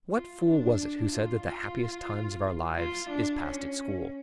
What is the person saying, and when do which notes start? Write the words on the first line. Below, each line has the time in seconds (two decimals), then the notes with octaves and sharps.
What fool was it who said that the happiest times of our lives is passed at school?
0.13 F4
0.46 D4
1.11 F4
1.45 F4
2.77 F4
3.10 D4
3.42 C#4